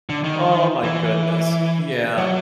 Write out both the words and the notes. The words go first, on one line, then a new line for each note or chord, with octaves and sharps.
oh my goodness. Yeah.
D3
D#3
E3
F#3